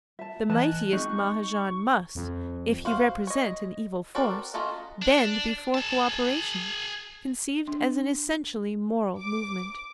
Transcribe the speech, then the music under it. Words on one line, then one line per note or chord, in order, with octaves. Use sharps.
The mightiest Mahajan must, if he represent an evil force, bend before co-operation, conceived as an essentially moral movement.
E5 A5
E3 D#5 G#5 A5 F#6
G#3 C4 D#4 G#4 C#6
F2
F#4 C5 F5
C#5 D#5
C4 F#4 A4 A#4 D5
F#3 C#4 F4 A4 D#5
D4
G#4 A5
D4
D6